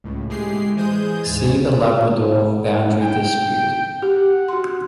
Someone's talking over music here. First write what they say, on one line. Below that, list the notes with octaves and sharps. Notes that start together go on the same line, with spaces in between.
See The Labrador boundary dispute.
C#2 A2
A2 G#3 G4 G#4 C7
E3 G#3 G#4 C5 D#6 G6
D2 G#2 G#5 A6
G5
G4 F#5
F#4 C6